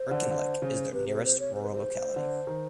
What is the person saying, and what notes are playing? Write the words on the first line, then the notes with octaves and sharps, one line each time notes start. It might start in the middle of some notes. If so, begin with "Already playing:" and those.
Irkenlek is the nearest rural locality.
Already playing: C5
D3
D3
C#3
C3 B4
C5
C5
C#5
C5
B4
C5
D3
D#3